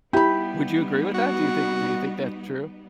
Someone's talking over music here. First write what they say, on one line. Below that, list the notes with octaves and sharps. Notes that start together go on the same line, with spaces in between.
Would you agree with that? Do you think do you think that's true?
G3 B3 D#4 E4 G4 B5
F#4